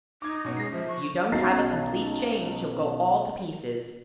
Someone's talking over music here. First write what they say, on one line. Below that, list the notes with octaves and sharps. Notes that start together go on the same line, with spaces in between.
If you don't have a complete change you'll go all to pieces.
D#4 D6 G#6
B2 B3 C#4
G#3 A#6 C7
F3 C5 E5
C#6
B1 B2 C#4 D#4 A6 C7